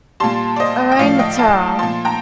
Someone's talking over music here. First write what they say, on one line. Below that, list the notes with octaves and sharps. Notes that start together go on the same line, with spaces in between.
A Reign of Terror.
A#2 G3 A5 C6
D5
C5 D#5
G5
A2 F3 D5 F5
D#5 G5
F5 A5
A#2 F3 A5 C6
G5 A#5